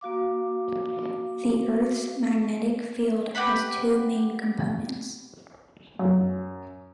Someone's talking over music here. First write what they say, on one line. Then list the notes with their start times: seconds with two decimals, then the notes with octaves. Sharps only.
The Earth's magnetic field has two main components.
0.01 A#3 F#4 F5 D6
3.35 G4 B4 F#5 B5
5.99 F#2